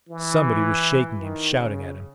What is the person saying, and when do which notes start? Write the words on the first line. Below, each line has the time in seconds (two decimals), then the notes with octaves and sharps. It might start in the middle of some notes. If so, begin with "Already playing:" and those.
Somebody was shaking him, shouting at him.
0.09 E3
1.20 D#3
1.57 C#3